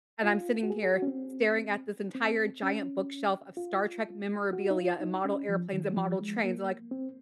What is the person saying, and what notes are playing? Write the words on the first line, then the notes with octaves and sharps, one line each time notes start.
and I'm sitting here staring at this entire giant bookshelf of Star Trek memorabilia and model airplanes and model trains like,
F4
F#4
G#4
G#4
F#4
C#4
C4
C4
C#4
F4
F#4
D#4
F4
D#4
C#4
F3
D#3
F3
G#3
A#3
C4